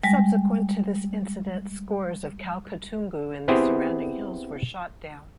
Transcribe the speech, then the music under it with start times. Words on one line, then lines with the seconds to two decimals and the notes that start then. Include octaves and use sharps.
Subsequent to this incident, scores of Kalkatungu in the surrounding hills were shot down.
0.04 G3 G#3
3.48 B3 C4 E4 G4 G#4 C5